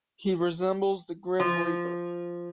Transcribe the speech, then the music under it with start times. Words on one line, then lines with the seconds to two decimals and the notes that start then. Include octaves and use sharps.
He resembles the Grim Reaper.
1.40 F3